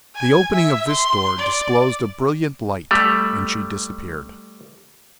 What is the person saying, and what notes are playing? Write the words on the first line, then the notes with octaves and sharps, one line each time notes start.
The opening of this door disclosed a brilliant light, and she disappeared.
G#5
E5
C6
D5
G3 A3